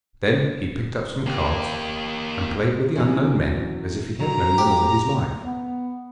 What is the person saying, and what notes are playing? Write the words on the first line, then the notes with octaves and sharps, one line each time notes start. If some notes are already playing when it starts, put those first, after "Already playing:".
Then he picked up some cards, and played with the unknown men as if he had known them all his life.
A#3 G4
E3 F#3 C#4
F#3 A#5
G4
B3